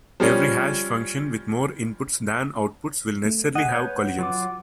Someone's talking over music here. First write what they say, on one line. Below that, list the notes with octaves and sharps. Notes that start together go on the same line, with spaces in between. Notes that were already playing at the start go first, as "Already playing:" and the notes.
Every hash function with more inputs than outputs will necessarily have collisions.
F3 G3 C#4
A3
G#4 D#5 F#5
B4 C#5 G6
F#3 F4 D6